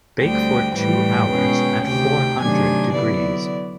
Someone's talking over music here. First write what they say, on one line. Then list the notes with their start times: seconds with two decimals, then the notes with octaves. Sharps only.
Bake for two hours at four hundred degrees.
0.21 D2 D3 G3 C4 G5
0.75 A2 E3 G3 G5
1.29 B2 G#3 C#4
1.84 D2 C3 D#3 G5
2.39 C3 D#3 F#3 A3 D4 G#5
2.93 D3 F#3 B3 E4 D5